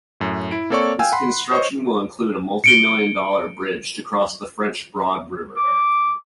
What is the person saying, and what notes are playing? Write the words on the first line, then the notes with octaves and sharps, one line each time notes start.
This construction will include a multimillion-dollar bridge to cross the French Broad River.
F#2 A2
E4 D7
A#3 C4 A4 C#5 D5 C#6
F5 G5 G#5 E6
F#5 B5 C6
C5 C#5 D#5 C#6
C#7 D7 G7
D6